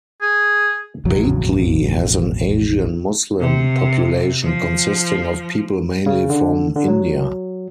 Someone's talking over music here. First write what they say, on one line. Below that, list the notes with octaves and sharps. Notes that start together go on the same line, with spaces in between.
Batley has an Asian Muslim population consisting of people mainly from India.
G#4
E1 A1 F2 F#3
C3
F3
C#3
D3
D3
F#3